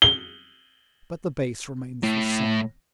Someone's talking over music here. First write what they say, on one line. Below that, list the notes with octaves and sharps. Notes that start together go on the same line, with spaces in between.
But the base remains the same.
G7
A2